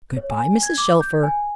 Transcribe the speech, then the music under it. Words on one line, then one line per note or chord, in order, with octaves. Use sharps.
"Good bye, Mrs. Shelfer."
C#5
G#5
G#6
D6
G6
G#5